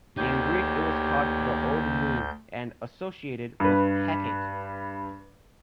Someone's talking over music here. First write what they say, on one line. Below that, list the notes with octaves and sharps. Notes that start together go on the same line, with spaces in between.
In Greek it was called the Old Moon and associated with Hecate.
D2 A#3 D#4 G4 C#5 G6
G2 B4